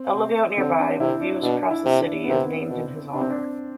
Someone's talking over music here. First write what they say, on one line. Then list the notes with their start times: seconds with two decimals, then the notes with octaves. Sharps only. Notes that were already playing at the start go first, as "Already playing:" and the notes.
A lookout nearby, with views across the city, is named in his honour.
Already playing: C4
0.15 C3
0.58 D3 C4
0.79 D4
1.00 C3 E4
1.21 D4
1.43 B2 D4
1.71 E4
1.86 C3
2.00 D4
2.24 B3
2.28 C3 C4
2.70 B2
3.13 C3 D4
3.21 C4
3.30 D4